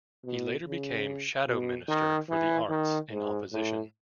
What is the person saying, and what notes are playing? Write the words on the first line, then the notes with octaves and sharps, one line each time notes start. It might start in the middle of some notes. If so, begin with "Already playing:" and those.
He later became Shadow Minister for the Arts in opposition.
B2
C#3
B2
D#3
E3
D#3
G#2
A2